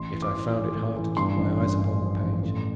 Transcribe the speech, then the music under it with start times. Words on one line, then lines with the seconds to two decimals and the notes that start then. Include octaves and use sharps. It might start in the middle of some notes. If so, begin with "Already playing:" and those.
Yet I found it hard to keep my eyes upon the page.
Already playing: A1 C6
0.12 E3
0.22 D6
0.33 E3
0.53 E3
0.75 A2
0.96 E3
1.17 G2 C6
1.38 A1
1.59 G2
1.80 G2
2.02 F3
2.22 A1
2.43 A2